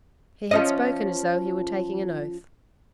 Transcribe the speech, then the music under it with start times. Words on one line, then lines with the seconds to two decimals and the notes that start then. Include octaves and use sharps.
He had spoken as though he were taking an oath.
0.51 F3 C#4 D#5